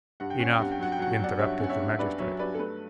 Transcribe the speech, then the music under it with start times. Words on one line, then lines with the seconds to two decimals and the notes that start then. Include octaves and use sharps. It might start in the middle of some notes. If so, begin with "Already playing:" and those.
"Enough," interrupted the magistrate.
0.20 G2 F#5
0.30 G5
0.39 C#4 F#5
0.52 G5
0.59 G2 F#5
0.72 G5
0.79 F#3 F#5
0.92 G5
0.99 F#3 F#5
1.12 G5
1.19 F#3 D5 F#5
1.39 G2 C#5 E5
1.60 C#4 F#5
1.70 C#5 E5
1.80 G2
1.89 E5
1.99 G2 B4 D5
2.19 F#3 C#5 E5
2.39 G2 B4 D5
2.55 A4
2.59 A3 B4